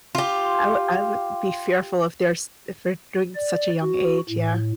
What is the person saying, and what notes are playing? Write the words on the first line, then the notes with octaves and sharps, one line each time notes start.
I would I would be fearful if there's if you're doing such a young age, yeah.
F4 G4
D5
F#4
A2